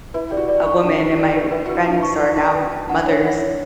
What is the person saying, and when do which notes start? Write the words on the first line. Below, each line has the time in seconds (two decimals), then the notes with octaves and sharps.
a woman and my friends are now mothers,
0.14 E4 B4
0.31 G4 D5
0.37 F#4
0.48 D5
0.60 E4
0.66 C#6
0.83 D4 A5
1.00 B4
1.17 D5
1.35 B4
1.51 E4 B4
1.66 F#4 B4
1.75 E4
1.86 D4 A5
1.97 E4
2.03 C#6
2.20 D5
2.37 A5
2.54 B4
2.72 A5
2.89 D4 F#5
2.99 E4
3.06 D4 C#5
3.23 E4 F#5
3.40 C#5